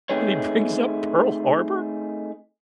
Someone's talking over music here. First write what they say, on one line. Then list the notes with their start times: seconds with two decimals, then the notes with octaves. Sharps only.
And he brings up Pearl Harbor,
0.09 A3 C4 D#4 G#4 B4 C#5